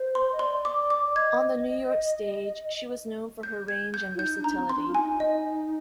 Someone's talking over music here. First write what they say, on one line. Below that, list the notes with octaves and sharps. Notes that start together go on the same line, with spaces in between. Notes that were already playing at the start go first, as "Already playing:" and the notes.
On the New York stage, she was known for her range and versatility.
Already playing: C5
C6
D#5
D5 C6
D6
D6
D5
D#5 G#6
G6
G#6
G6
F4
D#4 G6
D4
A#5
C4
C4 C6
D4
F4
D#4 G#5
D#5